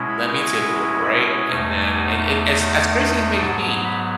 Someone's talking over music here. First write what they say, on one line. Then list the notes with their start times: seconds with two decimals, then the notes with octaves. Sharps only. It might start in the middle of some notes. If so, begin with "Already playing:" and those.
let me take over," right, and then and it as as crazy as it may be.
Already playing: B2 G#3 C#4 E4
0.09 B5
0.56 C#6
1.03 B5
1.49 E2 B2 A3 D#4 G#5
3.37 G#2 F#3 B3 A5
3.84 B5